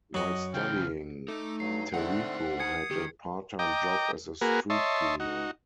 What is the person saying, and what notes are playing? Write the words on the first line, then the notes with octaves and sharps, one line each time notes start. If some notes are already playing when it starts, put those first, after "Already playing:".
While studying, Tariko had a part-time job as a street cleaner.
F#2 F#3 F#4 D#5
C#3 E3 F4 F5 G5
A3 D#4 D6
G2 F#3 C7
D3 A3 C4 D#4 C5 F#5
D#6 G#6 C#7
D#3 G4
D#5 G5 A#5 D6
A#3 F#4 G#4 A#4 B4
C#5 D#5 E5 A5 C6
D#4 F#4